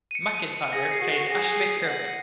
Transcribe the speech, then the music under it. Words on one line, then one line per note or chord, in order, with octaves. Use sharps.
McIntyre played Ashley Kerwin.
D#7
C#7
D#7
C#7
G#4 A#6
C7
F#4
C7
G#4 A#6
F#5